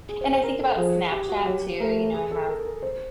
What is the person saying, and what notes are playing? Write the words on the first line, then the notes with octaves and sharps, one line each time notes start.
and I think about Snapchat, too, you know, I have,
G#4
C5
C5
A#4
A4
F3 G#4
G4
F#4
F#3 G4
A3 A#4
G#4
A4
A#4
A#4
C5